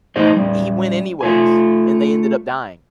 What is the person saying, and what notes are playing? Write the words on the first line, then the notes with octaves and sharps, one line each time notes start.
he went anyways, and they ended up dying.
E3 A3 D#4 G#4 C5 D#5
G3 C#4
A3 F4 G#5